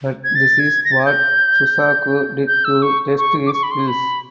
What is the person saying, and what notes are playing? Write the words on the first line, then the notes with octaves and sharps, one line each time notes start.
But this is what Shusaku did to test his skills.
G#6
A6
G#6
A#6
A6
G#6
G6
G6
E6
C#6
C#6
D6
C#6
B5
C6
B5